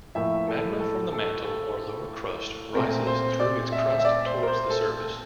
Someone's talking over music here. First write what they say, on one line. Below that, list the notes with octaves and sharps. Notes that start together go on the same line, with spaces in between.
Magma from the mantle or lower crust rises through its crust towards the surface.
A2 F3 A#3 E5
A4
A4
A4
A4
A#2 A3 C4 A#4
C5
D5
E5
E5
D5
C5
A#4
C5
A4
A4